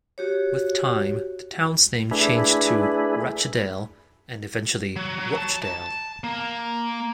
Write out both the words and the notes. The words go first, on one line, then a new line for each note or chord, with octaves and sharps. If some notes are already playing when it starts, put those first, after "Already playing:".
With time, the town's name changed to "Rachedale" and eventually "Rochdale".
F#4 G4 C#5
A3 D4 E4 G#4 B4
F#3
F#3
A5
A5
A#3